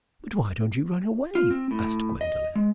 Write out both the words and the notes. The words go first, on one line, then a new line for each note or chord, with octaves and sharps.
"But why don't you run away?" asked Gwendolen.
F4
C4
A2
D#5
G#3